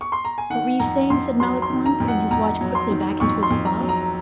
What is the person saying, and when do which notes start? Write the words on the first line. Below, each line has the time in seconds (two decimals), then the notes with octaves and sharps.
"What were you saying?" said Malicorne, putting his watch quickly back into his fob.
0.01 C#6
0.12 C6
0.25 A#5
0.38 G#5
0.50 D#3 F#5
0.79 F2 A#5
1.10 F2 C6
1.40 F#3 C6
1.62 C6
1.70 D#3
1.86 A#5
2.00 F2
2.08 F#5
2.31 F2 A#5
2.61 F#3
2.75 C6
2.90 D#3
3.20 F2 C#6
3.43 C6
3.50 F2
3.65 A#5
3.80 F#3
3.89 A#5